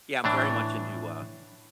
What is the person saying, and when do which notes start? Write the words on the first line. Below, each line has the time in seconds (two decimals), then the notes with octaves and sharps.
Yeah, I'm very much into, uh,
0.24 A2 E3 D4